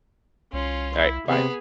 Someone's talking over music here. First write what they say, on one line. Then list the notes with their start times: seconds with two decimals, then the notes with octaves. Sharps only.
Alright, bye.
0.53 C2 C#4 F4 C6
0.97 E4
1.28 C3 B3 G#4